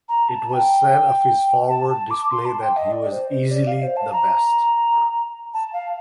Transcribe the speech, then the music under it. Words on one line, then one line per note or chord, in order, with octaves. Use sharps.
It was said of his forward display that he "was easily the best".
A#5
A5
A5
G5
A5
A5
D6
C6
A5
G5
D#5
D5
C5
C5
D5
F5
C5
A5
A#5
A5
F5